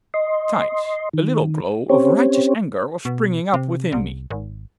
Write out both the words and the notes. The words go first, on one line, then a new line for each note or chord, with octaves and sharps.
Besides, a little glow of righteous anger was springing up within me.
D#5 C6
D#3
C4 C#4 G4 C5 C#5
B2
C3
C2
G#1